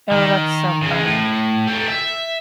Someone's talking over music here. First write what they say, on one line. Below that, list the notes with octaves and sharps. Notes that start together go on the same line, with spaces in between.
Oh, that's so funny.
D#3
C#3 G#3
A2
G4 A4
E5